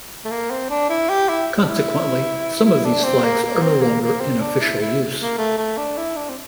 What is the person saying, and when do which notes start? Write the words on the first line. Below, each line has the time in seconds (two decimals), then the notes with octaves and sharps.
Consequently, some of these flags are no longer in official use.
0.25 A3
0.31 A#3
0.50 C4
0.70 D4
0.90 E4
1.09 G4
1.29 E4
1.62 D4
1.68 E4
2.65 E4
2.85 D4
3.04 C4
3.24 A#3
3.43 A#3
3.62 C4
3.82 A#3
4.02 A#3
4.21 C4
4.41 D4
4.61 E4
4.80 E4
5.19 A#3
5.38 A3
5.58 A3
5.78 D4
5.97 E4
6.16 D4
6.29 C4